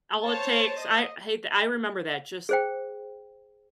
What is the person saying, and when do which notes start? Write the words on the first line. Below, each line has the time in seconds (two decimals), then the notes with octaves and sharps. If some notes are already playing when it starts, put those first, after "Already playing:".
All it takes I hey th I remember that. Just
0.25 C5 C#5 A5
0.82 D#5
2.49 G#4 C5 G5